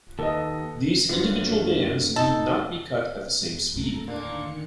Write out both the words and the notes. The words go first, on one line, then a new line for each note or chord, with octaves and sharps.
These individual bands need not be cut at the same speed.
D#2 A4 B4 D#5
F#2 A2 D3 F#3 B3 F4 F#4
D#4 A4
D#2 A2 A4 A#5
A#2 D3 D#3 A#3 D4 C#7